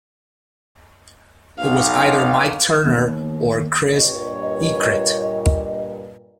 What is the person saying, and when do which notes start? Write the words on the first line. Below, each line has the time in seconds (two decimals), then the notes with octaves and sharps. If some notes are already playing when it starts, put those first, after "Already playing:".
It was either Mike Turner or Chris Eacrett.
1.58 B1 F5
2.85 D#3 E3 A#3 B3
3.93 G2 A#2 C#5 D#5